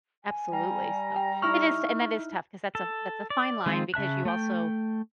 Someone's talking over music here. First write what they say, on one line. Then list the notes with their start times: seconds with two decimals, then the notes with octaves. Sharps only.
absolutely, so, it is t and that is tough 'cause that's a that's a fine line because you also
0.24 G#5
0.53 G3 G5 A#5
1.16 G5
1.42 D#4 E4 C#6 F6
2.75 A4
3.30 D5
3.66 D#3 G#3 C4 F4
3.94 C#3 E5 A5 F#6
4.25 A3 G5